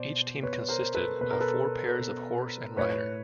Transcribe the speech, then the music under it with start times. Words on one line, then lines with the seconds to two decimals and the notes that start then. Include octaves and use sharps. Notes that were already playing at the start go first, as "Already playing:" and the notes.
Each team consisted of four pairs of horse and rider.
Already playing: B2 C5 D5
0.42 B2 B4 C#5
0.69 A#4 C5
0.95 A4 B4
1.21 B2 B4
1.31 A#4
1.40 A4 B4
1.99 B2
2.77 A2 B4 C#5